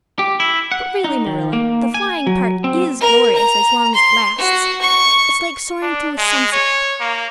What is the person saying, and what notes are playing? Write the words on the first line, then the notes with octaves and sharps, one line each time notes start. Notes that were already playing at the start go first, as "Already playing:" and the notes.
But really, Marilla, the flying part IS glorious as long as it lasts . . . it's like soaring through a sunset.
G4
E4
F#5
D#4
D#3
A#3
G#5
F#3
C4
A#4
A#5
C6
F#4
C#6
D4
G#3
C#5
A#3